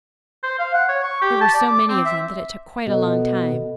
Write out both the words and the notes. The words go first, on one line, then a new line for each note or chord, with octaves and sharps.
There were so many of them that it took quite a long time.
C5
F5
F#5
C#5
C#6
G4
A5
D5
D6
C4
E5
B2 A4 D#5